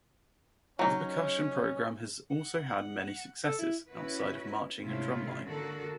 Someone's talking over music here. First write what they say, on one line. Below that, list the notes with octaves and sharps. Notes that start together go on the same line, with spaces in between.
The percussion program has also had many successes outside of marching and drumline.
F#3 C#4 D#4
F#5
A4
E4
C#4 E4 F#4 B4
G#2 C3 A3 C#4 E4 F4
D3 A#3 F#4 A4 A#4